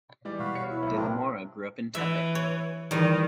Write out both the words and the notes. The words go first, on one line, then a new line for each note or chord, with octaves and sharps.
De la Mora grew up in Tepic.
E3 G3 G#3 D5
B2 F#4 F5 B5
C#5 C#7
E4 E5
B1 C3
C4 D4 A#4
E3 E5
C#5
E2 D#3 G3